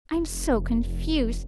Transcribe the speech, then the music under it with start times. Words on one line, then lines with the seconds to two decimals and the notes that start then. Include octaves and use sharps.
I am so confused.
0.13 F1